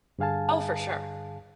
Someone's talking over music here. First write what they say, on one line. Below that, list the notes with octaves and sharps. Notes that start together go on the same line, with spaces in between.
Oh, for sure.
G2 D3 G#4 F5 G#5 A5